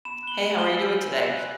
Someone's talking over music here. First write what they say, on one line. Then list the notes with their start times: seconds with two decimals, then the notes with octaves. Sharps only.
Hey, how are you doing today?
0.05 B5 E7
0.23 F#6 G7
0.32 F#7
0.41 B5
0.58 G#5 G7
0.77 E6
0.94 G6
1.12 C6
1.30 F#6